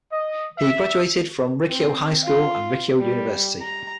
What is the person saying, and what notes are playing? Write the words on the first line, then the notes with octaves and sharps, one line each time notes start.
He graduated from Rikkyo High School and Rikkyo University.
D#5
E5
C4
F4
G3
A#5